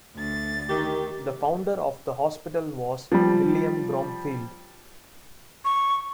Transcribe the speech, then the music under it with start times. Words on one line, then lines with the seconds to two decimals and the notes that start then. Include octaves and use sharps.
The founder of the hospital was William Bromfeild.
0.15 D2 A6
0.70 D#3 G4
3.12 F3 G3
5.65 C#6